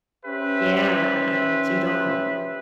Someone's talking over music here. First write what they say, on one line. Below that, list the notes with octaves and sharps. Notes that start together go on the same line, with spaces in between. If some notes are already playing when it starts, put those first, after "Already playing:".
Yeah, and you don't
C#4 G4 B4 C5 E5